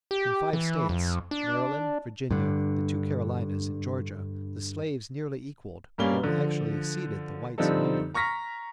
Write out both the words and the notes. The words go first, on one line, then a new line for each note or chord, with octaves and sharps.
In five states--Maryland, Virginia, the two Carolinas, and Georgia--the slaves nearly equalled or actually exceeded the whites in number.
G4
E3
F2
D4
G2 D3
G2 G3 A#3 C#4 G7
D3 F3
D3 F3 G3 C4 D#4 A4
A#5 C#6 F6 A#6 B6